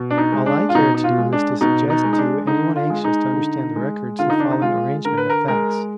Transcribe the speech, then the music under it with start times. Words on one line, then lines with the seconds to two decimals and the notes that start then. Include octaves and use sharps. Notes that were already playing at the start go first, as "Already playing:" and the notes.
All I care to do is to suggest to any one anxious to understand the records the following arrangement of facts.
Already playing: B2
0.10 D4
0.18 D#4
0.32 G#3
0.46 D4
0.69 F4
0.75 B2 D#4
0.95 D#4
1.04 F4
1.18 G#3
1.33 D4
1.61 B2 D#4
1.90 D#4
2.04 G#3
2.13 D#4
2.18 D4
2.47 D3 D#4
2.76 F4
2.90 G#3
3.04 D#4
3.33 D3
3.76 G#3
4.19 D3 F4
4.30 D#4
4.40 D4
4.51 D#4
4.62 G#3 F4
5.05 D3 A#4
5.17 B4
5.30 A#4
5.48 G#3 A#4